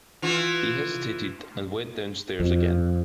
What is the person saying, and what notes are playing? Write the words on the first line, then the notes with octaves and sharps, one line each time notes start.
He hesitated and went downstairs again.
E3 F4
F2